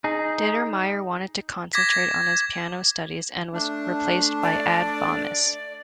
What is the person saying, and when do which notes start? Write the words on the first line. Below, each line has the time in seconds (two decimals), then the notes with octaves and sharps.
Determeijer wanted to concentrate on his piano studies and was replaced by Ad Wammes.
0.04 D#4 G#4
1.73 D6 G#6 A#6 B6
3.54 A3 D4
4.43 D5